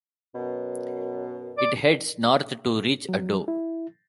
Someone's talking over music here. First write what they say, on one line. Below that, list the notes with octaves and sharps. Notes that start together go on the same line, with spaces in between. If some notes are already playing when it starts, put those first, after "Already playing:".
It heads north to reach Addo.
F#2 B2
D5
F#3
E4